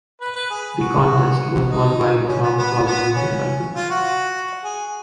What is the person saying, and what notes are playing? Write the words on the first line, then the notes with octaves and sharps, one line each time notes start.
The contest was won by the song "Fallen Angel" by Tix.
B4
B4
G#4
F#4
D#4
C#4
B3
B3
B3
C#4
F4
F#4
G#4